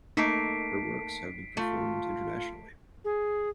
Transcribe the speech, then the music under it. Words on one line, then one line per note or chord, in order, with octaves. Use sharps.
Her works have been performed internationally.
A3 A#3 D#4 B6 C7 D7
A3 F4
G#4